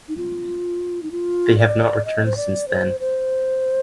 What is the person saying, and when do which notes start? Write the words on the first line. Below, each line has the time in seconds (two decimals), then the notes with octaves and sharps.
They have not returned since then.
0.09 D#4
0.17 F4
1.03 D#4
1.12 F4
1.59 D5
2.05 D#5
2.26 C5
2.37 D5
2.68 C5
3.00 C5